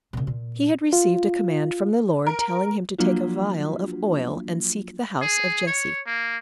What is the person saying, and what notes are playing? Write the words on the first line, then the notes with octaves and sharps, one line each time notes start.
He had received a command from the Lord telling him to take a vial of oil and seek the house of Jesse.
A#2 C#3
A#2
F4
A#4
F3 F#3 A#3 D4 F4 F#4
G#4
C#5
A#3